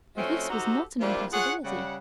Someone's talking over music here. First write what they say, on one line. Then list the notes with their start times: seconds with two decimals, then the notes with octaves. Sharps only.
And this was not an impossibility.
0.17 F3 A3 C4 C#4 D#4 F#4
0.50 D#4 F#4 G4 A4 C5 A#5
1.01 F3 G3 A#3 D4 E4 F4
1.32 F4 G#4 C#5 F#5
1.64 C#3 G3 F#5